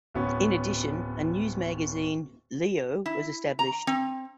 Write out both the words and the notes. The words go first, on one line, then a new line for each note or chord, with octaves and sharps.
In addition, a newsmagazine, "Leo", was established.
D1 B3 C#4
E4
A#5
C4